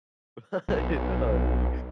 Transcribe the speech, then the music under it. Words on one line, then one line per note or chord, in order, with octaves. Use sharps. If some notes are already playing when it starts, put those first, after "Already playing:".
Right on, dude.
B1